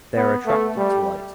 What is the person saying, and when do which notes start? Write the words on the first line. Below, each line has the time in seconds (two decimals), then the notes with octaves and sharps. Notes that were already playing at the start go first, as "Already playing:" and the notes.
They are attracted to light.
0.16 B3
0.46 A3
0.77 G3